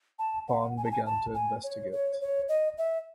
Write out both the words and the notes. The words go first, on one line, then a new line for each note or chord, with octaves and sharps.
Paan began to investigate.
A5
F#5
G#5
A5
G#5
A5
G#5
C#5
C#5
C#5
D#5
E5